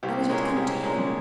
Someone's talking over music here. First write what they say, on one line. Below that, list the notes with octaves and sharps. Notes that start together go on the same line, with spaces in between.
And it had come to him!
C2 G4
A#2 G#3 C#4 G#4
C2 G4
A#2 G#3 C#4